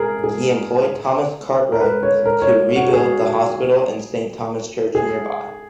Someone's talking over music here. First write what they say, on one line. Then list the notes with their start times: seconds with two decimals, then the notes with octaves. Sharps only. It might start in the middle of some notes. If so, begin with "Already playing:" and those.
He employed Thomas Cartwright to rebuild the hospital and Saint Thomas Church nearby.
Already playing: G#4 A#4
0.24 G#4
1.72 A#4
1.80 B4
2.03 C#5
2.25 A#4
2.42 C#5
2.76 F#4
2.93 G#4
4.95 G#4